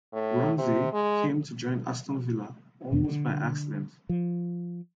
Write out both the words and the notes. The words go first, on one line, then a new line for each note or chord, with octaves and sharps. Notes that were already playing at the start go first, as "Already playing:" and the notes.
Ramsay came to join Aston Villa almost by accident.
A2
C3
G#3
E2 B2 D3
D3
F3